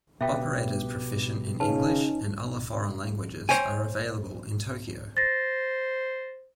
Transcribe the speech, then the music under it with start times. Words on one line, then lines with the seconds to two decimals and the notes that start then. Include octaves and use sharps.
Operators proficient in English and other foreign languages are available in Tokyo.
0.21 B2 G4 B4 E5 G5
1.60 C#3 C#4 D#4 B4 A5
3.49 C5 C#5 G5 G#5
5.17 C5 A6 A#6